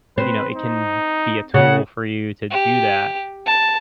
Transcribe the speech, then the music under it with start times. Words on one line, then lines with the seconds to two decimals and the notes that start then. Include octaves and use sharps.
you know, it can be a tool for you to do that.
0.18 C4 B4
0.55 D#4
1.54 C#3 F#5
2.51 G4
3.46 A5